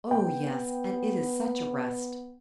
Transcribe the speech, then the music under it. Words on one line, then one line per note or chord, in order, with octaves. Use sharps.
'Oh yes! and it is such a rest.
B3 G5